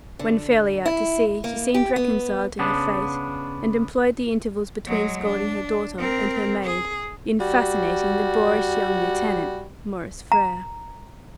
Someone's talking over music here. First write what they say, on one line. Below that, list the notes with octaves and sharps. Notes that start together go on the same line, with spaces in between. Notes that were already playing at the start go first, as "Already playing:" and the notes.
When fairly out to sea she seemed reconciled to her fate, and employed the intervals between scolding her daughter and her maid, in fascinating the boorish young Lieutenant, Maurice Frere.
D3
E4
A#3
G4
B3
C#3 B3 D4
F#3 G#3
D4
C4 A#4
G#4
G3 F#4
A#5